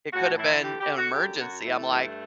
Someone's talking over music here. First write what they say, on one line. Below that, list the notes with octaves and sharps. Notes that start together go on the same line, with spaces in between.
It could have been an emergency," I'm like,
A2 F#4
E3 E4
D3 G4
G4
D3
F#4
F#2 G4
F#2 F#4
E3 A3
G2